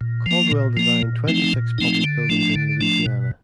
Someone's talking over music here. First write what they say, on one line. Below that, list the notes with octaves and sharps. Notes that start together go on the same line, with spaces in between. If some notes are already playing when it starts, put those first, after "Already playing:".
Caldwell designed twenty-six public buildings in Louisiana.
A#2
F3 A#3
A#2
F3 A#3
A#2
F3 A3 C4 D#4
A#2
F3 A3 C4 D#4
D3
F3 A3 D4
D3
F3 A3 D4
B2